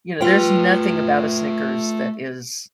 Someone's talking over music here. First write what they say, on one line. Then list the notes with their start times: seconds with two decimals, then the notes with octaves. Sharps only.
you know, there's nothing about a Snickers that is
0.21 A3 F4 B4 C#5 G5